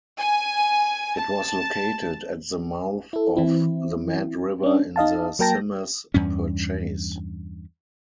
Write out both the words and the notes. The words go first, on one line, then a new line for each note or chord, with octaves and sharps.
It was located at the mouth of the Mad River in the Symmes Purchase.
G#5
A5
E4 A4
E3 C4 E4
C#4 D4
D#4 D#5 F5 A5
F#3 A#3 A#4 G5 A5 A#6
E2 G2 C#4